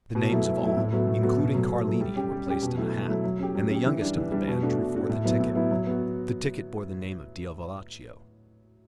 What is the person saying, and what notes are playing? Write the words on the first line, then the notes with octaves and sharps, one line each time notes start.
The names of all, including Carlini, were placed in a hat, and the youngest of the band drew forth a ticket; the ticket bore the name of Diovolaccio.
B2
F#3 A3 E4
B2
F#3 A3 E4
A2
F#3 B3 F#4 A4
A2
F#3 B3 F#4 A4
B2
F#3 A3
B2
F#3 A3
G3
C#4 G4
G3
C#4 G4
B2
F#3 A3 E4
B2
F#3 A3 E4
F#3
C#4 G4
F#3
C#4 G4
E3
G3 D4
E3
G3 D4
B2
A3 D4 F#4
B2
A3 D4 F#4
A2
F#3 B3 E4
A2
F#3 B3 E4
F#3
B3 F#4